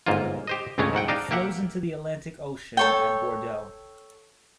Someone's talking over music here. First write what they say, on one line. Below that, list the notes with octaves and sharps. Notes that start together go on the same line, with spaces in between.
It flows into the Atlantic Ocean at Bordeaux.
G1 G#2 A#3 F4
G4 C5 D#5
C#2 G2 C#3 G#3 A3 C#5
G#2 F#3 F#5 G5
D4 D#4 D#5 F5 G5 A5
A#3 G4 E5 F#5
A4 C#5 G5